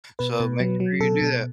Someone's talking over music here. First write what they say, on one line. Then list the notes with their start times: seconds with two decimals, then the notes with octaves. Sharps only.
So make sure you do that.
0.19 B2 B4
0.40 B2
0.60 F#3
0.80 F#3
1.00 B2 A4
1.21 B2